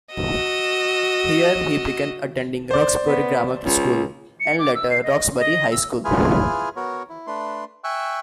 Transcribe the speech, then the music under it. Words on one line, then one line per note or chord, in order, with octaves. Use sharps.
Here he began attending Roxbury Grammar School and later Roxbury High School.
F#4 D#5 E6
C5 D5
B3
C#2
C#7
D6
E6
C7
D#5
D#5
E6
E4 F4 G#4 B4 G#5 F6
B3 F#4 A#4 C#5
E4
A3 D4 B4 C6
E5 G5 G#5 C#6 E6 F#6